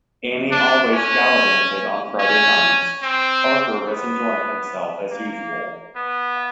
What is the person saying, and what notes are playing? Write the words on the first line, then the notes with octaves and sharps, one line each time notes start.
Annie always “gallivanted” on Friday nights; Arthur was enjoying himself as usual.
D4
C#4
C#4
C4
B3
A#3
B3